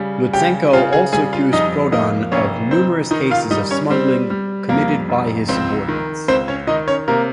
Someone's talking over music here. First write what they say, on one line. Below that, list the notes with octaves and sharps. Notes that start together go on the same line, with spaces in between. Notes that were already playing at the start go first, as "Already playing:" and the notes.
Lutsenko also accused Prodan of "numerous cases of smuggling committed by his subordinates".
Already playing: C#3 G3
C#3 G4 G5
C#3 F4 F5
G#4 G#5
G3 G#4 G#5
F4 F5
F2 D#4 D#5
A#3 D#4 D#5
F1 C#4 C#5
F1 C4 C5
D#3 D#4 D#5
F4 F5
G3 D#4 D#5
C#4 C#5
G3 C4 C5
G3
F2 A#3 A#4
F1
C#2 C4 C5
D#3
C#2 C4 C5
C#4 C#5
D#3 D#4 D#5
C#4 C#5
C3 A#3 A#4